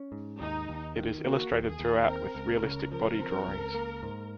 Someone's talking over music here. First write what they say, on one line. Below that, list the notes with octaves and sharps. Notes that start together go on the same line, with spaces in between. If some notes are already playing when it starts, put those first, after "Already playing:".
It is illustrated throughout with realistic body drawings.
Already playing: C#4
G#2
D#2 D#4
D#2
D#3
A#3 F#4
D#2
G#4
D#2
C4 A#4
C#2
C#3
F3 A#4
C4
C#2
A#3
G#2